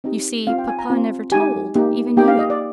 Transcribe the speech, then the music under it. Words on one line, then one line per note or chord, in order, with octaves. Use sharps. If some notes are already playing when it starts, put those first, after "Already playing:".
You see, papa never told, even you.
C4 D#4 G4 D#5
C4 F4 F5
G5
G#5
A#5
C4 F4
G#3 D#4 G4 G#5
A#3 D#4 G4
A#3 D#4 G4 G5
F5
D#5
D5